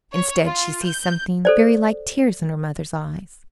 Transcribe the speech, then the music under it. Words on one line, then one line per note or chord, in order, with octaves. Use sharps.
Instead she sees something very like tears in her mother's eyes.
C#5
F4
G6
A4 C5 D5